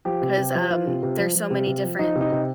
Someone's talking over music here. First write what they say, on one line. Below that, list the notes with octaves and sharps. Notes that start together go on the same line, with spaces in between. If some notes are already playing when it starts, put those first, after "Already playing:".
'cause, um, there's so many different
F3 G4
C3
C3
F3
F3 F4
C3
C3
F3
F3
C3
C3
F3
F3 D#4
C3
D#4
C3